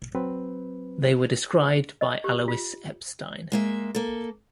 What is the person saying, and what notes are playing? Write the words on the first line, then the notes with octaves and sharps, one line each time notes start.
They were described by Alois Epstein.
F#3 C4 B4
D#5
G4
F4
G#3 A#3 E5
A#3 A4